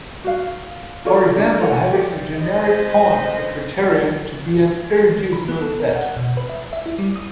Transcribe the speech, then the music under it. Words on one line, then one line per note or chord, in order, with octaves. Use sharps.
For example having a generic point is a criterion to be an irreducible set.
F#4 F5
F4 A4 C#5 D5
D4
A4 C#5 F5 F#5
G4 D5
F2 B4 C5 D#5
B5
B3
A4
A#4
F#5
B2
B4
E5
E5
E4
G3
D#6